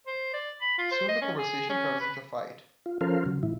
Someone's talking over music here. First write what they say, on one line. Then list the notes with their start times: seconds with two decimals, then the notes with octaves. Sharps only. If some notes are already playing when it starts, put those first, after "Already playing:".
Soon the conversation turns into a fight.
0.07 C5
0.34 D5
0.61 B5
0.78 F4
0.91 C5
1.08 D#5
1.22 C#4
1.38 G#4
1.70 C#4
2.00 B4
2.86 F4
3.01 F3 C#4 A4 A#4 C5 F5
3.26 C#3 F#3
3.43 A2 E3 E4